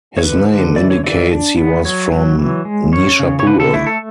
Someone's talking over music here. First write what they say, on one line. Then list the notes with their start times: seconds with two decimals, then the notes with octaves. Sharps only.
His name indicates he was from Nishapur.
0.18 C#5
0.23 D3 B4
0.49 D3
0.76 E3 D5
0.90 C#5
1.04 E3 D5
1.31 D4
1.57 B3
1.85 F#3 C#5
2.12 F#3
2.39 E3
2.65 G#3
2.92 C#4 C#5
3.19 C#3
3.40 C#5
3.47 D3 B4
3.60 A4
3.73 A3 E4
3.87 A4